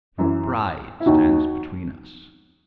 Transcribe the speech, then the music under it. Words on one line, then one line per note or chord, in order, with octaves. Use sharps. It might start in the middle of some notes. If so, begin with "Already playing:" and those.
"Your bride stands between us."
F#2 E3
E4
D#2 D#3 D#4 F#4